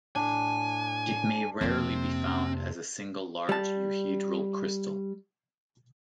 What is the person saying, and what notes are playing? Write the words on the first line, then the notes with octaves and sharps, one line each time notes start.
It may rarely be found as a single large euhedral crystal.
A2 D4 G#5
F2 C3 A#3 C4
G3 A5